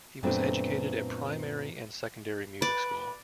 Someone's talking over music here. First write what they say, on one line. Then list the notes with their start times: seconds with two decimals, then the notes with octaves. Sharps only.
He was educated at Primary and Secondary Music School.
0.23 F#2 A#2 A3 B3 C4 D4
2.62 B4 D5